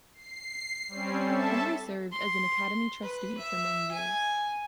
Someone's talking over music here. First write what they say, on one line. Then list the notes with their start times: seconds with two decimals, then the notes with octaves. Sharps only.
Henry served as an academy trustee for many years.
0.13 C7
0.88 G3 C4 C#4
1.23 A4 E5 A5
2.12 C6
3.02 B4
3.38 E5
3.91 G#5